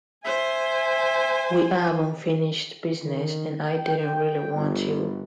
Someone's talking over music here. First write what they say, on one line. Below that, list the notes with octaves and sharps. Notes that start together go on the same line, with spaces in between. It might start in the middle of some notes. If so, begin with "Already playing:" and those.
We have unfinished business, and I didn't really want to leave here.
C5 E5 G#5
D#3
G5
G1